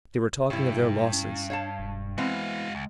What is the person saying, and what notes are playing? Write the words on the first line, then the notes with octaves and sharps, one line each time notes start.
They were talking of their losses.
G2 C3 E4 C#5
C#4
D4 C#5 F5 A5
E1
E3 G#3 B3 C4 F#4 F5
C#2